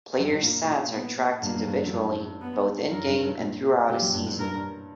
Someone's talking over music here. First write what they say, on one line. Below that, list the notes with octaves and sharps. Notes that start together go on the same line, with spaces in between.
Player stats are tracked individually both in-game, and throughout a season.
F#2
G2
A#2 A#3
A#2
B3
G2 A#3
G2
G2
G2
F#2
G2
B3
F#2 A#4
G2
G2
A#2
A#2 G4
F#2
G2
G2
G2 A#4
G2